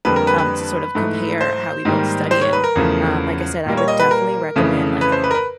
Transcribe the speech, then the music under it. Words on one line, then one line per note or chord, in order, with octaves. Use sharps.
um, to sort of compare how we both study, and, um, like I said, I would definitely recommend, like
F2 D3 G3 A#3 B4
A#4
B4
B4
G#2 E3 A3
C5
G#2 D#3 G3 A#3
C5
C#5
B4
A#4
E2 C#3 F3 A3
A#2 G3 A#3
C#5
D#5
B4
A#4
F2 C#3 E3 A3
B4
C5
B4
A#4
B4